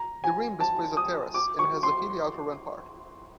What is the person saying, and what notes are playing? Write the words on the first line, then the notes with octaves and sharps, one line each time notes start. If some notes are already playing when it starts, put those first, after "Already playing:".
The rim displays a terrace, and has a hilly outer rampart.
Already playing: A#5
G#5
A5
D#6
D6
C#6
C6